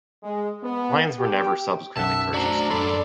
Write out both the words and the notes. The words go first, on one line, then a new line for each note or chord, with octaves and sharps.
Lions were never subsequently purchased.
G#3
B3
G4
B1 F#2 E5 F#5 A5 E6
D4 F#4 C5 A#5
F#2 D4 A4 D5 A5 B5 C6